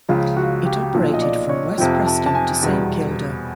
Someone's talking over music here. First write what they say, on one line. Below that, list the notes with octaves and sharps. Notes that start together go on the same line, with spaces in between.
It operated from West Preston to Saint Kilda.
C#2 C#3 F3 F4
F#4
G4
B1 A#2 F3
D#5
D5
C#5
F2 C3 F3 G5
A5
A5
G#5
E2 B2 G3